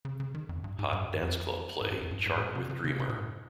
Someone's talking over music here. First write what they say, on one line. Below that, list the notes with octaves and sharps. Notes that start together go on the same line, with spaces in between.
Hot Dance Club Play chart with "Dreamer".
C#3
C#3
D#3
F2
G2
G#2
G2
F2
G2
F2
G#2
G2
F2
G2
G#2
G#2
A#2
C3
C#3
C#3
C3
A#2
G2